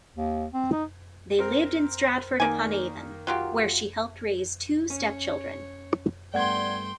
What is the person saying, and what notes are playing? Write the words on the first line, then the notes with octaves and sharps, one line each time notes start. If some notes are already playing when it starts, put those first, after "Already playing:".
They lived in Stratford-upon-Avon, where she helped raise two stepchildren.
D#2
C4
D#4
C4 A#4
D#3 A#3 D5 G#5
F#3 F4 G4
C#4 C#5
G2 A3 B3 D5 F#5 G5 C6 G#6